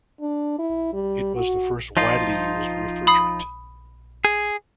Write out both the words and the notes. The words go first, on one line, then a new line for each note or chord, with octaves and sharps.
It was the first widely used refrigerant.
D4
E4
G3
F#4
F3 D#4 F4
B5 D#6 C7
G#4